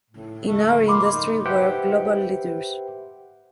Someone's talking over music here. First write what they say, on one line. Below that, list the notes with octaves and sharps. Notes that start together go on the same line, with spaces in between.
In our industry, we are global leaders.
A2
A3
A#3 B5 C6 D6
D#4
G4 B4 C5 E5 F#5 G5